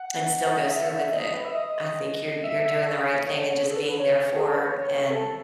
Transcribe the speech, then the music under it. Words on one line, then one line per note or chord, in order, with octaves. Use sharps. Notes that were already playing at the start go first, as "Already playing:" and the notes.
and still goes through with it. I think you're you're doing the right thing and just being there for and
Already playing: F#5
E5
F#5
E5
D#5
B4
E5
D#5
E5
E5
C#5
G#4
A4
B4
C#5
G#4
A4
B4
C#5
A4